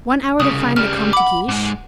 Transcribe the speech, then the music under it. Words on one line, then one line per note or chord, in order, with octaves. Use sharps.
"One hour to find the Comte de Guiche."
C2 C#3 D#6
C#3 G3 F6
F#5 B5 D6
G#2 G#3